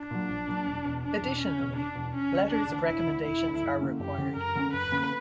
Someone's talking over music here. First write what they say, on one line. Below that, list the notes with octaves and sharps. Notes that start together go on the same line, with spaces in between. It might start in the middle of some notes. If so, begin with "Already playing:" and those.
Additionally, letters of recommendations are required.
Already playing: D4
A#2 F#3
A#1
A#2 F#3
E1
E2 B2
E1 D4
E2
B2
E1 C#4
E2 B2
E1 D4
E2 B2
E1 C#4
D2 D3
E1 D4
D2 D3
E1 E4
D2 D3
E1 E4
D2 D3
F#2
D3 A#3 C#4
F#2 G4
D3 A#3 C#4
F#2 A#4
D3 A#3 C#4
F#2 B4
D3 A#3 C#4